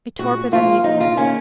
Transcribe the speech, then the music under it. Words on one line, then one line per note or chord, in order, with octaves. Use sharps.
A torpid uneasiness.
A#2 F#4
F3 A#3 F4
D#2 D#4
F4
D#3 A#3 C#4